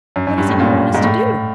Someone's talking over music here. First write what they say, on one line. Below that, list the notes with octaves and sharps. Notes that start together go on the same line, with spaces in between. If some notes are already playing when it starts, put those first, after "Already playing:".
"What is it you want us to do?"
F#2
F#2
G2
A2
A#2
G#2
A2